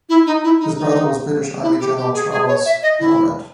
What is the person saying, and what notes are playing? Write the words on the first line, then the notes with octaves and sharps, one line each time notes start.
His brother was the British Army general Charles Palairet.
E4
D#4
E4
D#4
D#4
E4
G4
G4
G#4
G#4
C#5
E5
D#5
E4